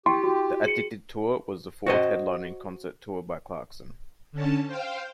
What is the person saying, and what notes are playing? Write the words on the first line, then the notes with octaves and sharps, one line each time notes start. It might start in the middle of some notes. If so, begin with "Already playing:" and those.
The Addicted Tour was the fourth headlining concert tour by Clarkson.
E4 G4 G5 C6 C#6
F#4
G#4 C#7
F#4 C5 D#5
D3 C#4 A5
C5 F5 G5